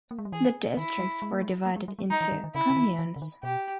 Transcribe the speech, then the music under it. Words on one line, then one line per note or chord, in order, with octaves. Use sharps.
The districts were divided into "communes".
A#3
G#3
G3
E3 G#4
D#3 E4
G3
G#3
A#3
G#3
A#3
G#3
G3
G#3
G3 D#4
E3
D#3
D#3
C#3 E4
C#3
D#3
E3
C#3
D#3
B2 G4